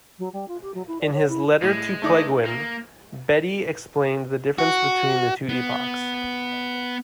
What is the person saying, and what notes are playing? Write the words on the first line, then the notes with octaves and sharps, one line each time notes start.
In his "Letter to Plegwin", Bede explained the difference between the two epochs.
F#3
G3
F4
G4
F#3
E4
D5
C#5
E4
A2 G#3
A3 D#4 D5
A#3
F#4
B3